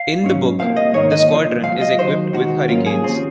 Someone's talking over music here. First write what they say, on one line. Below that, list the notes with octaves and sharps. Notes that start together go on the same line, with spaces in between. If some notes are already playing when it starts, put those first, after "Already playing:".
In the book, the squadron is equipped with Hurricanes.
Already playing: F5
G#2 F#3 C#4
C2 C3 F3 A#3 F5
D#5
G#2 D#3 A#3 C#5
D#5
C2 A#2 F3
C#2 C#3 F#3 F5
D#5
D#2 D#3 F#3 C5
D#2 D#3 G#3 F#4
G#2 F#3 A#3 C#4 F4
G#4
D#2 C#3 F3 C4